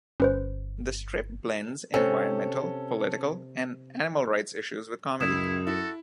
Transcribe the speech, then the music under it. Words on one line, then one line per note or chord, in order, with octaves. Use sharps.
The strip blends environmental, political, and animal rights issues with comedy.
G1 C#4 B4 C5
C3 C#4 A4
C#2 F#2 E4 D#6 E7
E4 F#4 A4